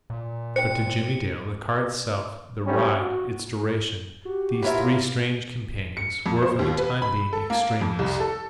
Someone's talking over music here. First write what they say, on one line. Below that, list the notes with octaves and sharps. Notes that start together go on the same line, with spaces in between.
But to Jimmie Dale, the car itself, the ride, its duration, these three strange companions, were for the time being extraneous.
A#2
C5 G5 C#7
F#3 G3 A3 C4 C#4
F#4
F#4 G4
E4 F4 A#4 B4 C#5 E5
C#7
F2
C5
D#2
B4
B5
A4
A#3
F2
C2
A4